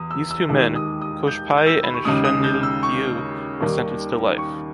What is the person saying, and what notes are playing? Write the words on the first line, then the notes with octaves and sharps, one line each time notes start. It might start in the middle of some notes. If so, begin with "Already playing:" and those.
These two men, Cochepaille and Chenildieu, were sentenced to life.
Already playing: E2 D#6
E6
E6
D#2 D#3 G#3 E6
D#6
D#6
G6
G6
E6
B5
C#6
D#2 C#3 G#3 D#6
D#6
G6
E6
C#6
D#2 D#3 G3 A#3
C#6